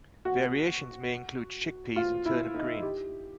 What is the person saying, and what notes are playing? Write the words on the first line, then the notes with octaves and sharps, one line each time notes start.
Variations may include chickpeas and turnip greens.
F#4
F4
E4
D#4
G4